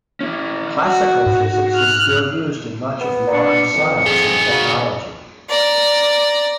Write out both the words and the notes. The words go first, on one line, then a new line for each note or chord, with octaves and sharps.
Classical physics is still used in much of modern science and technology.
C#4 E4
F#4
G#2
F6 F#6
B3
D4 C#7
F2 E3
D#3 B3 G#4
C#3 F#3
D5 A#5